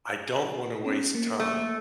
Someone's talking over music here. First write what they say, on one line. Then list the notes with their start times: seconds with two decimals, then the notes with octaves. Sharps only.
"I don't want to waste time,"
0.85 B3 C#4
1.15 A#3
1.40 A3